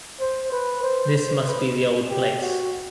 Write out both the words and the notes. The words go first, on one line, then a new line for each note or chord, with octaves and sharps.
This must be the old place.
C5
B4
C5
C5
B4
G4
F#4